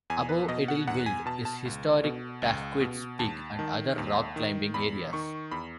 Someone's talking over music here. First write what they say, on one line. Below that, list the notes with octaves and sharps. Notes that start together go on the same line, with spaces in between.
Above Idyllwild is historic Tahquitz Peak and other rock climbing areas.
E2 G#5
B4
B2 D#5
F#5
E2 F#5
G#5
B2 A5
A5
C#2
B2
C#2
B2
D#2 A5
D#3
D#2
D#3
E2 B5
D#3 C#6
E2 B5